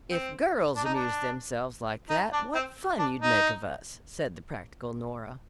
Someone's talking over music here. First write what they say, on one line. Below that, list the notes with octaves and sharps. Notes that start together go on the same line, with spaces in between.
"If girls amused themselves like that what fun you'd make of us!" said the practical Nora.
C4
D4
D#4
D4
D#4
D4
C4
D4
D#4